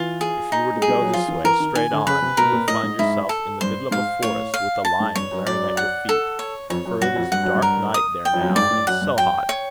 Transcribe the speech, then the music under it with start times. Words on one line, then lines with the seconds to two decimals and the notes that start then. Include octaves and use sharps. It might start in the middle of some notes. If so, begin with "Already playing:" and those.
If you were to go this way, straight on, you would find yourself in the middle of a forest with a lion glaring at your feet, for it is dark night there now, and so hot!
Already playing: E3 F4
0.21 G#4
0.52 D#4
0.77 G#3
0.82 G#4
0.89 G3
1.01 F#3
1.13 F3 F4
1.28 E3
1.44 E3 A#4
1.60 D#3
1.75 D#3 G#5
1.91 D3
2.07 C#3 B4
2.22 C3
2.37 B2 A#4
2.52 A#2
2.68 A2 D#5
2.83 G#2
2.99 G#2 E4
3.29 A4
3.61 G2 C5
3.91 G#2 F5
4.23 A2 C#5
4.54 F5
4.85 A5
5.00 G#2
5.15 G2 C#5
5.31 F#2
5.46 F#2 D5
5.77 F#5
6.09 A4
6.39 C#5
6.70 F2 C#5
6.85 F#2
7.01 G2 F#4
7.16 F2
7.32 G2 F#5
7.44 F#2
7.55 G2
7.62 A#4
7.94 D#6
8.25 G5
8.33 F2
8.41 F#2
8.49 G2
8.56 G#2 D5
8.71 A2
8.87 F#2 F#5
9.01 G2
9.18 F#2 G5
9.49 C#5